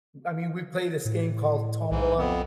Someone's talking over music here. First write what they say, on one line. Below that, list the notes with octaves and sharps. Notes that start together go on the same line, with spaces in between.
I mean, we play this game called Tombola,
A2
B1 G#2 E3
F2 B3